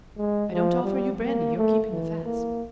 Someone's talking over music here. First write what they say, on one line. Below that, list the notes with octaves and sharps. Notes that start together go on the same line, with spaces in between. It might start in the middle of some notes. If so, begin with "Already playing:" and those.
I don't offer you brandy, you're keeping the fast.
G#3
F3
G3
A#3
A3
E3
A#3